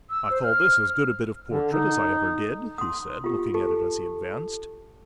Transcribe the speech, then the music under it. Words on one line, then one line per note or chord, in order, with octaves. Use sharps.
"I call this as good a bit of portrait as I ever did," he said, looking at it as he advanced.
E6
C5
F6
D3
D#4
C6 D#6
F4 G4
G4 A4